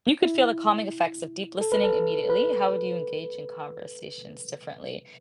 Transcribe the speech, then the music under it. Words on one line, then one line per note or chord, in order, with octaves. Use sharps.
You could feel the calming effects of deep listening immediately. How would you engage in conversations differently,
E4
A4
B4
A4
B4